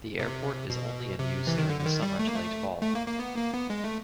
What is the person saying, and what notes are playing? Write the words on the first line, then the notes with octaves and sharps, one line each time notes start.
The airport is only in use during the summer to late fall.
C3
B2
C3
E3
D#3
D3
D3
D#3
G3
A3
A#3
A3
A3
A#3
A#3
B3
A#3
B3
G#3
A3